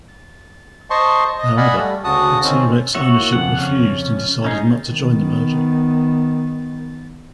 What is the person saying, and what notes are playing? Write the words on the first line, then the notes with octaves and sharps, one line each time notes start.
However, the T-Rex ownership refused and decided not to join the merger.
C5 D#5 A5 C6 C#6
D#5
D5 D#5 F5 F#5 G#5 B5
G3 A3
D2 C#3 F#4 A5 D#6
D#3 C4 C#4
F#4 C#5 E5
A#3 E4
F2 C#3 F#5
C#4
C#4 D#4 G#4
D#3 B3